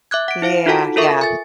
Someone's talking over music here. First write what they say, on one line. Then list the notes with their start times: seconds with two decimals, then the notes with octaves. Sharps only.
Yeah, yeah.
0.11 E5 D6 F#6 G#6
0.28 F#5 D7
0.42 E4 C5 F5 D7
0.66 D#4 F4 F#4 A4 F#5 A5
0.96 F4 A4 A#4 E5 C#6
1.21 G#5 A6